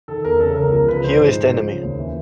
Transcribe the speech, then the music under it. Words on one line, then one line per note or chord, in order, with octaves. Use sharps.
Here is the enemy!
D#3 A4
E2 A#4
C#3 A4
C#2 A#4
F3 A#4
C#2 B4
F3 C5
G#2
G#2
F3
C#3
D#2
E3